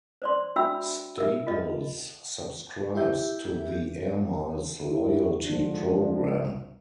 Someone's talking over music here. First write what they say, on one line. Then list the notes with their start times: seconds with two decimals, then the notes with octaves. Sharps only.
Staples subscribes to the Air Miles loyalty program.
0.22 C5 D5 C6
0.56 D4 F#4 E5 G5 B5 E6
1.18 A#4 E5
1.47 F4 D#5
2.95 E4 G4 E5 G6
4.90 E4
5.44 D3 F3 G#3 D4